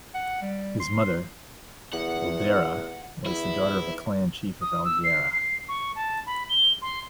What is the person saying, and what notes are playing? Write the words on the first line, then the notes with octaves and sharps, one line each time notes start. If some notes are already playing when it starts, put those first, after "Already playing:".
His mother, Ildera, was the daughter of a clan chief of Algaria.
F#5
G3
C6
E2 F#5
E2 E4
D#6
E6
C7
C7
C#6
A5
B5
G7
C6